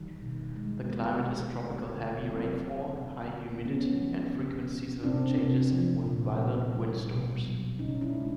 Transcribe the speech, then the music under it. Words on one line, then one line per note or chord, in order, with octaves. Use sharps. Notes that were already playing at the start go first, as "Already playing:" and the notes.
The climate is tropical-heavy rainfall, high humidity, and frequent seasonal changes with violent windstorms.
Already playing: D#3 G3
B2
G#3
G#3 B3
B2
A3
D3
F#3 A#3 C4
F#3
D3
D3
C#3 B3 C#4
F3
C#3
C#3
C3 C4 D4
C3
F3
A#2
A#3
G3
B2
F#3
C#3 C#4 D#4
D4 E4
G#3